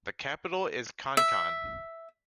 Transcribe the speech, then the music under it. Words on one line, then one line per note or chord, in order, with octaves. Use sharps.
The capital is Kankan.
E5